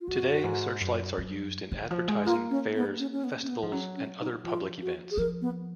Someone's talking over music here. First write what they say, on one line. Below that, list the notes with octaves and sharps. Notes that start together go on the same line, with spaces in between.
Today, searchlights are used in advertising, fairs, festivals and other public events.
F4
F#2 F#4
G#2
F#2
F#2
D#3
F3
G#3
A#3 F4
C#4
B3
C#4
C#4
B3
C#4
B3
F3
F#3 C#4
C#4
D#4
F3 F4
F#4
G#4
F3 A#4
B3